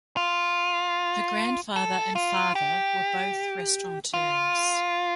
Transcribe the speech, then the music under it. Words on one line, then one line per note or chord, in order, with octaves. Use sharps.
Her grandfather and father were both restaurateurs.
F4
A4
F4
G4
F4